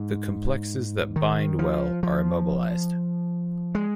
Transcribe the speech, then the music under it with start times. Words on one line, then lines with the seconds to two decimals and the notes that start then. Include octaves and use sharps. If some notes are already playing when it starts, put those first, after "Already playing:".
The complexes that bind well are immobilized.
Already playing: G#2
1.16 D#3
1.59 F3
2.03 F3
3.75 G#3